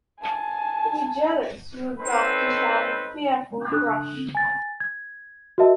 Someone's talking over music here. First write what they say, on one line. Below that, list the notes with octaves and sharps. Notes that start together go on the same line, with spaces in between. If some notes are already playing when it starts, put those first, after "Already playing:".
To be jealous you've got to have a fearful crush.
G#5 A5
C4 C#4 D#4 A4 B4 C5
D4 A4 D#6 F#6
G#5 A6
G#6
F#4 A#4 D#5 E5 A5